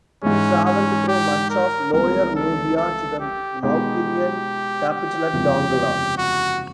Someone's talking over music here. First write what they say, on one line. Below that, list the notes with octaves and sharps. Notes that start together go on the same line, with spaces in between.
He traveled through much of Lower Nubia to the Makurian capital at Dongola.
G#2 E3 G#3 C#4
C#4
G4
A#4
C2 C3 F3 G#3 B3 A#4
A4
A4
G4
B2 G#3 B3 D#4 G4
G4
F#1 E2 C3 F3 G#3
F#4